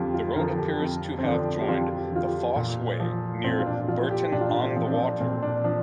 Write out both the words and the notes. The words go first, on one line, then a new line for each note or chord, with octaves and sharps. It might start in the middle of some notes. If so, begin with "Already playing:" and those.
The road appears to have joined the Fosse Way near Bourton-on-the-Water.
Already playing: F2 D3 F3 F4 G4
F4
D3 F3 A#4
G4
F2
C4
D3 F3 D4
G4
F2 F4
G4
D3 F3 F4
G4
A#2
F3
A#2 C4
F4
D4
D4
F3 F4
G4
A#2 D4
F4
D4
C4
F3
C4
D4
A#2 C4
D4
F3 D4